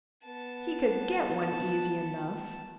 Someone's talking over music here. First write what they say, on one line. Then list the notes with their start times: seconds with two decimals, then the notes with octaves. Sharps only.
"He could get one easy enough."
0.25 B3 A5